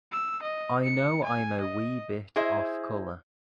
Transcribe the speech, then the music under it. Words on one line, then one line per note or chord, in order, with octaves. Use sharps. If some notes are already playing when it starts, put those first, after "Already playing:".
I know I'm a wee bit off color.
E6
D#5
C#7
G#5
D#5
E4 G#4 C5 D#5 E5